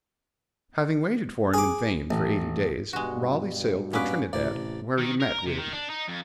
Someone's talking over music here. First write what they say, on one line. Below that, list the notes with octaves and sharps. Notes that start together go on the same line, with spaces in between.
Having waited for him in vain for eighty days, Raleigh sailed for Trinidad, where he met Whiddon.
G#4 D6
A1
G2 B2 G#3 F#4
A#2 B3 C#4 B4 D6
A1 C3 D5
D#3
A#4
C3
D#3
D4
D#4
F2